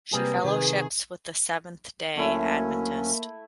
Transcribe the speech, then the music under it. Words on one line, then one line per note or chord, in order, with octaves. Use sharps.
She fellowships with the Seventh Day Adventist.
C3 G3 A#3 G#4 B4
C3 D#3 G#4
D2 F#3 A3 A#3 C#4 E4